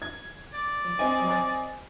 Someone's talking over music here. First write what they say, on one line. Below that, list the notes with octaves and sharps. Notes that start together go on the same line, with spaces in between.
Thank you so much.
G#6
D5
C4 D#5 G#5